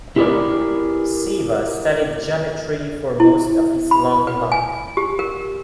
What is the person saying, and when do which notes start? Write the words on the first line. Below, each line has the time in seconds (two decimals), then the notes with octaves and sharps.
Ceva studied geometry for most of his long life.
0.16 E4 G4 G#4 A#4 B4 D5
3.20 E4
3.91 B5
4.27 B4
4.52 G#5
4.97 G4
5.19 A#4